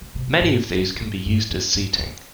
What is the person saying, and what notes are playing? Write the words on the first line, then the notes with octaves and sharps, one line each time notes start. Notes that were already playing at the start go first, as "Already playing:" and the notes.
Many of these can be used as seating.
C#3
C3
A#2
G#2
G2
G2
G#2
G2
F2
F2
E2